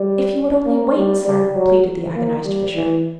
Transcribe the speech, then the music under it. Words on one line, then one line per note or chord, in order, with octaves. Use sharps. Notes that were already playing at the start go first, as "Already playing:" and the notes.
"If you would only wait, sir," pleaded the agonized Fisher.
Already playing: G3
A#3
G3
G3
F#3
A#3
G3
E3